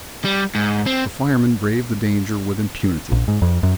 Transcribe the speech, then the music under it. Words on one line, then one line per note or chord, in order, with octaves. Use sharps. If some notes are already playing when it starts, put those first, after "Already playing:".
The firemen braved the danger with impunity.
G3
G#2
C4
A#1
G#2
F2
F#2